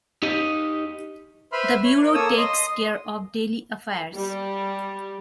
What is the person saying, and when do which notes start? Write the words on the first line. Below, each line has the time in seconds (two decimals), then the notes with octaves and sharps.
The Bureau takes care of daily affairs.
0.23 D#4 G4 D#5
1.52 B4 C5 E5 B5 C6 F6
1.84 C#5
2.02 A#4
2.14 A#3 A4 C#5 D#6 E6
2.38 D#5 C6 D#6
4.14 G3